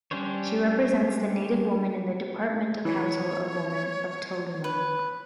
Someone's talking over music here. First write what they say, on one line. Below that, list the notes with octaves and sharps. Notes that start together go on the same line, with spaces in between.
She represents the native women in the Departmental Council of Women of Tolima.
G3 C#4 D4 C5 C#5
E3 C#5
B4